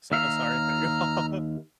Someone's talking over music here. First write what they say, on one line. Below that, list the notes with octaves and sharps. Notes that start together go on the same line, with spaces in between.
So, uh, sorry, cut you off.
D#2 E5 F5 A#5 F6